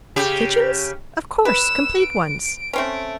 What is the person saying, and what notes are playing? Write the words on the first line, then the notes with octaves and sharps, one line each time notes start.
"Kitchens?--of course--complete ones."
C#3 G4
B4 E6 E7
D7
A3 C4 C#4